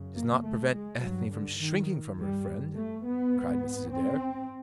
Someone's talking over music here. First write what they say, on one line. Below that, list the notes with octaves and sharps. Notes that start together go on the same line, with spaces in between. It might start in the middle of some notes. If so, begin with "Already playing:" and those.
"It does not prevent Ethne from shrinking from her friend," cried Mrs. Adair.
Already playing: F#2 C#3
A#3
A3
G#3
G2 F#3
D3
D#3
G2 G3
A3
B3
G#2
C4